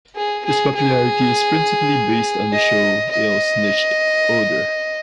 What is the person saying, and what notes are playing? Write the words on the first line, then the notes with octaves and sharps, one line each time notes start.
His popularity is principally based on the shows Alles nichts oder?!
G#4
G#4
G#4
D#5
D#5